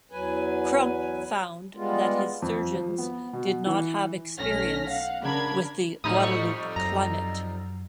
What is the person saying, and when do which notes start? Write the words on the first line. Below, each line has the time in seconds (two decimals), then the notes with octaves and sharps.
Crump found that his surgeons did not have experience with the Guadeloupe climate.
0.11 E2 F#3 B4 G#5
1.75 G3 G#3 B3 F4
2.42 F2
2.74 F3
2.98 B3
3.33 B2
3.67 E3
4.38 B1 A3 C#4 F6 A#6 B6
4.87 F5 F#5
5.21 C#3 D4 A#4 B5 G#6
6.04 F2 A2 G3 D#4 D#6
6.23 C#6
6.76 F#2 A#5